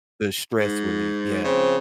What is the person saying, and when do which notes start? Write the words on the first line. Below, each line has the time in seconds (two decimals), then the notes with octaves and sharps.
the stress relief, yeah.
0.59 G#2
1.44 C#3 F3 C4 C5